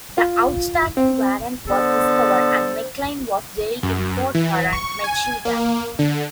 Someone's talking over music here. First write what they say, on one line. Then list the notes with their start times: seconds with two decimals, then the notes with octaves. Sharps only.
The outstanding warrant was discovered and McLain was jailed in Port Huron, Michigan.
0.18 F4
0.97 C4
1.67 D3 B3 A4 C5
3.83 F#2
4.35 E3
4.73 C#6
5.04 G#5
5.45 A#3
5.99 D3